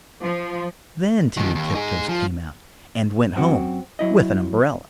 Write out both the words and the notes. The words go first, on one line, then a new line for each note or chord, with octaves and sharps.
Then Timmy Tiptoes came out, and went home with an umbrella.
F3
D#3 F#3
D#2
D#4 G#4
F3
F#2 C4 F#4
F#3 E4 D#5